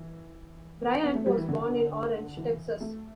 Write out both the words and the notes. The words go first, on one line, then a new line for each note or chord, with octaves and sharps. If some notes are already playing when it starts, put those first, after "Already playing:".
Bryant was born in Orange, Texas.
Already playing: E3
B3
A3
G3
E3
D3
E3
A3